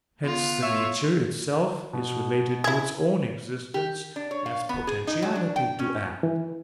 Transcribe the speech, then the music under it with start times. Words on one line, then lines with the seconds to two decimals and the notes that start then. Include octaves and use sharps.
Hence the nature itself is related to its own existence as potentiality to act.
0.21 B3 F4
0.62 C#5 E5
1.93 B2
2.64 E4 G#4
3.74 G4
4.16 D4
4.31 C#5
4.46 F5
4.69 B3
4.87 G#4
5.07 D#4
5.23 F#3
5.35 D4
5.56 G5
5.79 C#4
6.23 E3